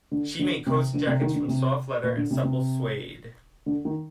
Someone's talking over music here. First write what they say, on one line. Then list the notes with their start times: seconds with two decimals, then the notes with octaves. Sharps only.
She made coats and jackets from soft leather and supple suede.
0.12 D3
0.39 D3
0.67 C3
0.94 D3
1.07 C3
1.21 D#3
1.34 D3
1.48 C3
2.03 A#2
2.17 D3
2.31 C3
2.43 C3
3.66 D3
3.85 D#3